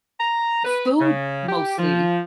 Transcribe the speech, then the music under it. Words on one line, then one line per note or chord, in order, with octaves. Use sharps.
food mostly.
A#5
B4
C#3
G4
F3